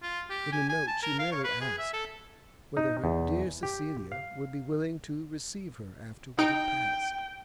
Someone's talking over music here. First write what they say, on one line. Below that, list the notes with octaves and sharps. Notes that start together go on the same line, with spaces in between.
In the note she merely asked whether her "dear Cecilia" would be willing to receive her after what had passed.
F4
G4
G#5
G#5
A5
A#4
F5
C#5
B4
G#4
E5
A4
D#4
E2
G4
F5
D#4 G5 D7